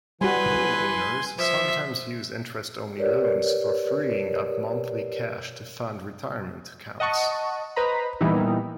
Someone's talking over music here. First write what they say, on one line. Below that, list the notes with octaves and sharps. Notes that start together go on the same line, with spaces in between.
Homeowners sometimes use interest-only loans for freeing up monthly cash to fund retirement accounts.
E3 G3 F#4 B4 G#5 C6
F3 E5
G4 A#4 B4 C#5 D5
D#5 F#5 A5 C#6
B4 C5 D#5 A#5 B5
A#2 E3 G3 B3 D#4 E4